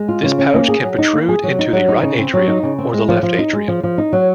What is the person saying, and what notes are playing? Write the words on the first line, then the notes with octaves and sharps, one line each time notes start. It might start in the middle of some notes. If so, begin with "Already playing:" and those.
This pouch can protrude into the right atrium or the left atrium.
Already playing: G#3
F4
C#3
C#4
A#3
G#4
F#3
D#4
A#3
G#4
F#3
D#4
F#3
D#4
C#3
C4
F#3
D#4
C#3
C4
G#3
F3
F3
D#4
G#3
F3
F3
D#4
F#3